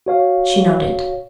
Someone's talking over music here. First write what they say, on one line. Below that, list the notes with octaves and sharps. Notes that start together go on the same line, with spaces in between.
She nodded.
F#4 C#5 F5